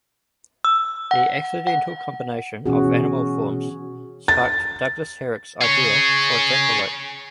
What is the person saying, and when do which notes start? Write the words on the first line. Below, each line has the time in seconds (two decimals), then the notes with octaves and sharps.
The accidental combination of animal forms sparked Douglas Herrick's idea for a jackalope.
0.65 E6
1.11 F#5
1.67 F#5
2.66 B2 E3 C#4 F#4 G#4
4.28 A6
5.61 G#4 C#5